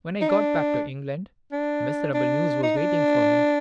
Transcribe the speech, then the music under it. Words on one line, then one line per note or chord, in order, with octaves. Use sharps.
When I got back to England, miserable news was waiting for me.
D#4
D4
D4
D4
D#4
D4